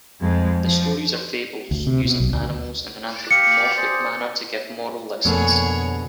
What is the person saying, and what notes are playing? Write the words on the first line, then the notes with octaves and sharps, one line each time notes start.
The stories are fables, using animals in an anthropomorphic manner to give moral lessons.
F2 G#3
F3
D2
C3
B2
B1
D2
G4 F5 C#7
G#4 C5 D5
F2 B2 D3 A#3 G#4 C#5